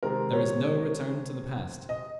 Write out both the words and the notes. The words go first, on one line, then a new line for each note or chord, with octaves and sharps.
There is no return to the past.
C3 D#3 G#3 C4 A#4
C#5
D#5